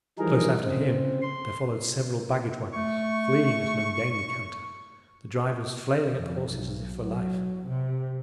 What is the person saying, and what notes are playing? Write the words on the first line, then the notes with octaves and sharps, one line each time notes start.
Close after him there followed several baggage-waggons, fleeing at an ungainly canter, the drivers flailing at the horses as if for life.
E3 F3 G3 D#4 G#4 A#4
C#3 C4
C6
A3 C#6
F2
B1
F#3
C3